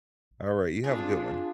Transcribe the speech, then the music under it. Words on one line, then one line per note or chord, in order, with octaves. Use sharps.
Alright, you have a good one.
C4 D4 F4 G#4